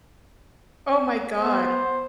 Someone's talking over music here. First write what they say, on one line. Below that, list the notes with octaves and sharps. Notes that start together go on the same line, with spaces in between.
Oh my god.
B3 C5